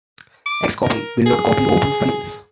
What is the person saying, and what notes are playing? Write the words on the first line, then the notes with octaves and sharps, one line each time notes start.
Xcopy will not copy open files.
D6
A#4
G#4